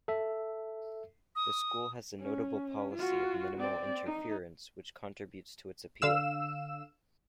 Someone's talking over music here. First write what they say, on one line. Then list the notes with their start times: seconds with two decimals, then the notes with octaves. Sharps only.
The school has a notable policy of minimal interference which contributes to its appeal.
0.08 A4 E5
1.36 D#6
2.20 C#4
2.94 F4 F#4
3.58 C4 D5
4.05 D#4
6.02 D3 F5 E6 E7